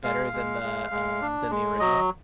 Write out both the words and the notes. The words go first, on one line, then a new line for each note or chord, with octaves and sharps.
Better than the, um, than the original?
G#3 F5
G#3
G#3
G#3
D4
G#3
F#3 D#5